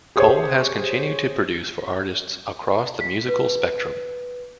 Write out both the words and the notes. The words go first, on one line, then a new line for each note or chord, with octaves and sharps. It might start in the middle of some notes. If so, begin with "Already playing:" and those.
Cole has continued to produce for artists across the musical spectrum.
G4 G#4 C5 C#5
B6
B4